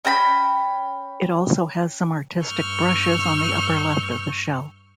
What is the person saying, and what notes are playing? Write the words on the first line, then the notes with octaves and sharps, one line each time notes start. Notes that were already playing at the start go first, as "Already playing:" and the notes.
It also has some artistic brushes on the upper left of the shell.
C#4 G5 A#5 B5
G2 C#6 E6 F6 G6